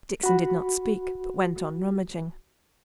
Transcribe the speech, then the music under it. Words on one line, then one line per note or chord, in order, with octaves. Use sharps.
Dixon did not speak, but went on rummaging.
F#4 B5